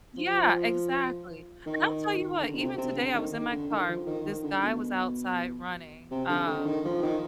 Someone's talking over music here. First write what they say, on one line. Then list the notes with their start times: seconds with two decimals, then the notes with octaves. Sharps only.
Yeah, exactly, and I'll tell you what, even today, I was in my car, this guy was outside running, um,
0.17 F3
1.66 D#3
2.40 D3
2.54 B2
2.58 C3
2.78 C3
2.95 D3
3.14 D#3
3.33 D#3
3.52 D3
3.70 D#3
3.88 F3
4.06 D#3
4.25 D#3
4.43 D3
4.63 B2
6.11 C3
6.29 D3
6.47 D3
6.65 D#3
6.85 F3
7.03 D#3